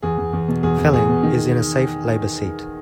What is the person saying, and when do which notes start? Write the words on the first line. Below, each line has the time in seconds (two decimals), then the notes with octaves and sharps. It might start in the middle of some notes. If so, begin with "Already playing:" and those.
Felling is in a safe Labour seat.
0.02 E2 G#4
0.18 E2
0.33 E2
0.48 B2
0.63 E2 G#4
0.78 E2
0.93 E2 G#4
1.09 B2
1.23 D#3